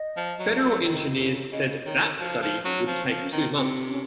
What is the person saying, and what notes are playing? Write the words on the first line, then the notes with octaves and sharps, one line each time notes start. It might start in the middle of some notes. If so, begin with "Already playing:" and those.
Federal engineers said that study would take two months.
Already playing: D#5
F3
F#3
F3
F#3
C#3
D#3
C#3
C#3 D#5
D#3 C#5
F3 F#4
F3 D#4
F#3 C#4
F3 C4
C4
F3
C#4
D#3
C4
C3 C4
C#4